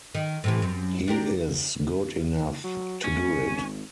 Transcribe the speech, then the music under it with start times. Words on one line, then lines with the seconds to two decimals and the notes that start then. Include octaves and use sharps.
He is good enough to do it.
0.15 D#3
0.44 A2 C3 E3
0.62 F#2
1.08 D4 G4 A#4
2.64 F#3
3.04 A#1 C#4
3.49 G#1